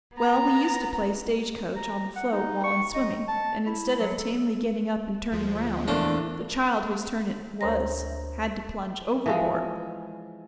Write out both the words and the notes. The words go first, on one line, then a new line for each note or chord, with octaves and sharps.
Well, we used to play stage-coach on the float while in swimming, and instead of tamely getting up and turning round, the child whose turn it was had to plunge overboard.
B3 A#5
A#5
F#5
D#4
C#6
D#5
A5
E4
F#3
A4
D2 F3 G#3
A#1 E2 A3 D4 F4
D2 A#4 C5 C#5 A#5 A#6
E3 F3 G#3